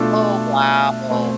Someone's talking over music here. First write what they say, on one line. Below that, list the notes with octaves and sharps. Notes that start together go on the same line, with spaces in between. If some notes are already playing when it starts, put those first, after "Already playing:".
Oh wow! Oh,
Already playing: B2 A3 D4 F4 A4
B2 A3 C4